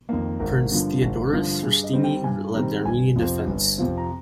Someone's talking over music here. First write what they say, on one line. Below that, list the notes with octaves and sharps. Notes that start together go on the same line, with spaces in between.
Prince Theodoros Rshtuni led the Armenian defense.
F2 D#3 A#3
G#1 A#4
G2 D3 F3
G#1
G2 D3 F3
G2 G#4
D#5
D#3 G3 C4
G5
G2 G#5
D#3 G3 C4 A#5
G1 G#5
F2 C3 F3 C4
G1
F2 C3 F3 C4
A#5